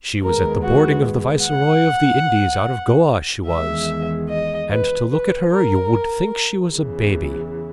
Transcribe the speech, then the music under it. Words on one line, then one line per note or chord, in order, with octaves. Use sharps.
She was at the boarding of the viceroy of the Indies out of Goa, she was; and to look at her you would think she was a babby.
D#2 D#3 G#3 B3 A#4
F#4
F#5
E2 D#3 G#3 E5
D#5
B4
B4
A#4
E2 C#3 E3